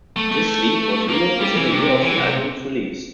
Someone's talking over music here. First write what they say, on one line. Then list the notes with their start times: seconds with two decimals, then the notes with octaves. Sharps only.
This sleeve was removed within a year of the album's release.
0.16 A3
0.32 A3
1.09 A#3
1.40 G3
1.55 E3
1.71 C3
2.03 E3
2.17 C3